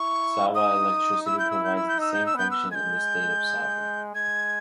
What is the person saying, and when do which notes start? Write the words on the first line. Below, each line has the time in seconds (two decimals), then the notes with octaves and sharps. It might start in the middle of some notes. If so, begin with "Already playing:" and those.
Sabah Electricity provides the same function in the state of Sabah.
Already playing: E4 C#6
0.54 D#4 D#6
1.26 E4 E6
1.39 G6
1.51 E6
1.64 G6
1.76 E6
1.89 G6
1.98 D#4 E6
2.14 G6
2.26 E6
2.35 B3 G6
2.51 E6
2.71 G#3 G#6
2.75 G6
4.15 G#3 G#6